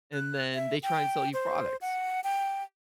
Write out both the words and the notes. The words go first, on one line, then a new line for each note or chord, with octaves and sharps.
and then they try and sell you products.
F#6
E5
G5
C5
F#5
G5